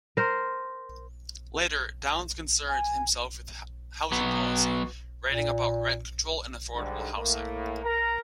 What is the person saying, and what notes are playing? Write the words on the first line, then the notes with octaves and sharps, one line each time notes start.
Later, Downs concerned himself with housing policy, writing about rent control and affordable housing.
A#4 C5
G#5
F#3 B3
A#2
G#2 D3 G3
A2 A#3
A#4 A#5